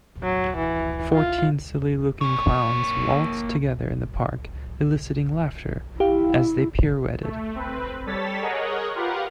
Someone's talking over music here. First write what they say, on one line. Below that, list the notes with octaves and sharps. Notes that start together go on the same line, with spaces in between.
Fourteen silly looking clowns waltzed together in the park eliciting laughter as they pirouetted.
F#3
E3
F4
A#3 C#5
E4 G4 F5
A3
C4 B4
G3 A4 C#5 A6 B6
G#4 A#4 C#5 D#5 F#5
F4 G4 A#4 B4 F5 F#5